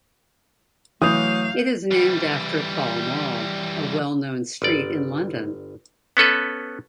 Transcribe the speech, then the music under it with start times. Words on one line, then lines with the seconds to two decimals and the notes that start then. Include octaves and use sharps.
It is named after Pall Mall, a well-known street in London.
1.02 E3 F#3 A3 F5 D#6 G6
1.91 E3 G3
4.62 G1 D5
6.17 B3 C#4 A4 B4